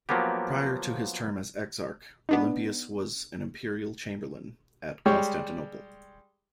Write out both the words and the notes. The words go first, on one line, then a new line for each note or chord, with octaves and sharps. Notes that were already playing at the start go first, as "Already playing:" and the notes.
Prior to his term as exarch, Olympius was an imperial chamberlain at Constantinople.
F3 F#3 A#3 B3 G4
B3 D4 D#4
G3 G#3 G4 C#5